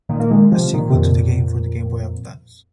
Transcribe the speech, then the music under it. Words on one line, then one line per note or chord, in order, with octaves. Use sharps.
A sequel to the game for the Game Boy Advance.
A#2 D#3
A#3
D#3 G#3
C3 F3
A#2 D#3
C3
F2 A#2